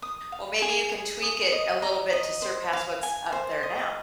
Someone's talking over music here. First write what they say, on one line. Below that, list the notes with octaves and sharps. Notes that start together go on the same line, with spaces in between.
Well, maybe you can tweak it a little bit to surpass what's up there now.
D#6
F5
G#4
G#4
D#6
D#5
A#5
D#5
C5
F5
G#5
C5
D#5